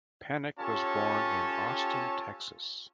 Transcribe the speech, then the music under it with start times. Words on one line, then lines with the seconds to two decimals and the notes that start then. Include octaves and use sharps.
Penick was born in Austin, Texas.
0.59 C#4 F4 G4 A4 C#5 A5